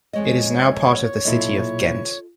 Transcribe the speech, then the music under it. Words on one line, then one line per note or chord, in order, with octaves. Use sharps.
It is now part of the city of Ghent.
F2 G#3 C#5 D#5
B1 A#2 E4 F4 A4 D#5